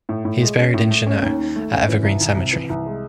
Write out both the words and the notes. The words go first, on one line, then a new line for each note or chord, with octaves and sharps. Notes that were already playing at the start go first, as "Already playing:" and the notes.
He is buried in Juneau at Evergreen Cemetery.
A2
A2
G#3
C#4
A2
A3
C#4
D#2
D#3
A3
C#4
E3
C2
C2
C3
E3
C2
G#3